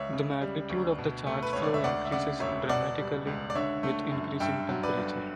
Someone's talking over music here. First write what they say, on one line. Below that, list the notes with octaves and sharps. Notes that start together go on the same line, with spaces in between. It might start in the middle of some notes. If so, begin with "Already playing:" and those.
The magnitude of the charge flow increases dramatically with increasing temperature.
Already playing: C#2 C#5 E5
C#3
G3
D2
B2
A3
B4
C#2 C#5
D5
E5
D2 D5 F#5
E5
C#3 D5 F#5
E1 C#5 E5
B2 D5 F#5
G3
C#2
D5
D3 C#5 E5
A3
F#2
G2 E5 G5
F#3
B4 D5
G1